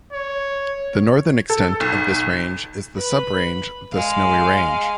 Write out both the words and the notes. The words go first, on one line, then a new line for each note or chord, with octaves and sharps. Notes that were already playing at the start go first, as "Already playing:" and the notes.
The northern extent of this range is the sub-range the Snowy Range.
C#5
A4
B1
B4 B5
G#3 F5